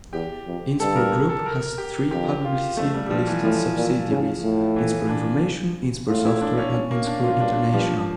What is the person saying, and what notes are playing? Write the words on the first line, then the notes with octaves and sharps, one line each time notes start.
Inspur Group has three publicly listed subsidiaries: Inspur Information, Inspur Software and Inspur International.
E2 G4
F2
G2 A4
A#4
A4
A#4
G4
F2 G4
F4
F2 A3
G3
G3
G2 F3
E3
A2 F3
A#2
C#3
A2
E3
D4
A2 F4
E4
D4
C#4
C#4
A#3
D4
F4
G2 D4
G2 F3